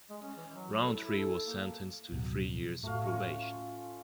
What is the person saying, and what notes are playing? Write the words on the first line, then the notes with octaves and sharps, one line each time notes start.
Rountree was sentenced to three years probation.
G#3
C#4
E3
F#3
A4
E4
A4
A#3
D1 B2 F#3
A2 A3 F#4 F5
C#4 F4 C#6